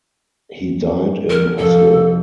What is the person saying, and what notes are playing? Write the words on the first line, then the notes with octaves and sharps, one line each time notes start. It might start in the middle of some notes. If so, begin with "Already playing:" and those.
He died in Oslo.
A#4
F2 C3 A4